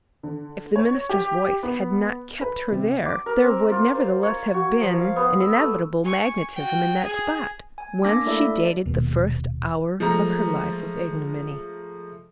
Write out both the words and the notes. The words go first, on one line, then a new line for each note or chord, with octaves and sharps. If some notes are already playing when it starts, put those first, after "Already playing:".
If the minister's voice had not kept her there, there would, nevertheless, have been an inevitable magnetism in that spot, whence she dated the first hour of her life of ignominy.
D3
C#5
G4
B3
B4
C3
D6
A#4
C4
F4
C5
C#5
F#4
F3
F5
B3
E6
A3
G#5 C#6
F#4 G5
G#4 G#5
G#5
A#3 D4 D6 A#6 B6
A3 E4 A4 D5 E5 B6
D#1 D#2 B2 A#3
F3 G#3 A3 A#5